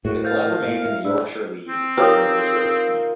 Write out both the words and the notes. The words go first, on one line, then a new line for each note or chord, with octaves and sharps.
The club remained in the Yorkshire League, fielding a reserve team.
F#2 A2 F#4 G#4
A#4 C5 F5 G6 A6
E5
D4 E4 B4 D5 E6
C4
D#4 F4 G4 A#4 B4 C#5 D#6